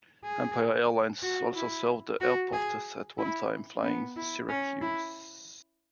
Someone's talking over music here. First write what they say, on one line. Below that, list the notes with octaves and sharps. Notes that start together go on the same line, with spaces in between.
Empire Airlines also served the airport at one time, flying to Syracuse.
G#4
F#4
E4
F#4
G#4
E4
B3
E4
C#4
E4